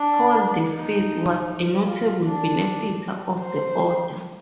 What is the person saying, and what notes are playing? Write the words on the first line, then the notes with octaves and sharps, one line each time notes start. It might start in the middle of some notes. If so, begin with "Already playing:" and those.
Paul the Fifth was a notable benefactor of the order.
Already playing: D4
D#4
F4
D4
C5